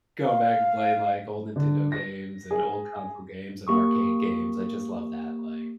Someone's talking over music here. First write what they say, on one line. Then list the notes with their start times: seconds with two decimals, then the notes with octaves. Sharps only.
going back and playing, like, old Nintendo games, and old Console games, and Arcade games, I just love that, like
0.21 F5
1.56 D3
1.92 A#6
2.51 G#4
3.67 A#3 G4 C#6 D#6